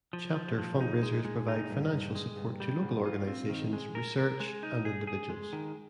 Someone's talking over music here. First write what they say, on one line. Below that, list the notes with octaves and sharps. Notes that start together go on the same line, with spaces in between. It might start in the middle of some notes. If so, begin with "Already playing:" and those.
Chapter fundraisers provide financial support to local organizations, research, and individuals.
F3
F3
F3
D#4
G#3
G#3
D#4
G2
G2
G#3
G2
G3
G#2
F4
C4
D#3
G#3
A#4
A#4
G#3
D#4
G#4
G#4
G#3
D#3